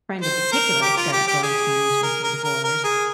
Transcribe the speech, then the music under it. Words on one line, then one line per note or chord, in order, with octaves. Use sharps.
friend in particular started going to one which went through a divorce,
C5
A#4
G4
F4
G4
G4
G#4
A#4
A#4
A#4
A#4
G#4